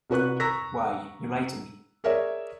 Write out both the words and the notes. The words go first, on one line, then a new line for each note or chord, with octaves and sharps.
Why, you lied to me.
C2 F#4 B4 C#6 F#6
A#5 C#6 E6 A#6 B6
G#4 A#4 C#5 D5 E5